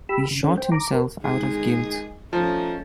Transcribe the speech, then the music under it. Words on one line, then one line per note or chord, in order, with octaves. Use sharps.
He shot himself out of guilt.
G4 B5 E6
C#3
C#4 A4
C5 G5
A#5 D6
A#4
G#3 D#4 G#4
F3 A3 C#4 D#4